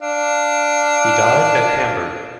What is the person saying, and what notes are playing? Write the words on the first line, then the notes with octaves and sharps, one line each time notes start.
He died at Hamburg.
D4 F5